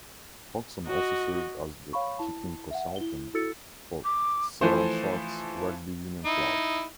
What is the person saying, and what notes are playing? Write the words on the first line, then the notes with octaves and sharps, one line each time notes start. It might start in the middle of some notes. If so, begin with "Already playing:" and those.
Hodgson also served as the kicking consultant for Sale Sharks Rugby Union Club.
F#4 D#5
C#5 F5 B5 C#6
E4 A5
E5 F#5
E4 G7
E4 F#4 A4 E6 A6 C#7
D6
E3 F3 A3 C5
D#4 E4